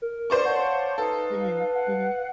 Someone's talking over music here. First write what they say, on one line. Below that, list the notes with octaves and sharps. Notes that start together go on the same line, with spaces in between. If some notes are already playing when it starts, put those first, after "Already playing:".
Mhm, mhm.
A#4
C5 D5 C#6
C#5 F5 F#5 A5
D#4 A4 B4 F5
F5 F#5